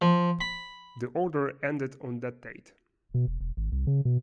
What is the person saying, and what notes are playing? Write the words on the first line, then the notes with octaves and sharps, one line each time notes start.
The order ended on that date.
F3
B5
B2
E1
E1
G#1
C2
C#3
B2